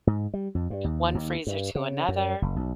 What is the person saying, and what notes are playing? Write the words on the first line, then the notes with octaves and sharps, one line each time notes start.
one freezer to another?
G#2
G3
F2
G2
D#2
D#2
G2
C#3
F#2
F#1
B1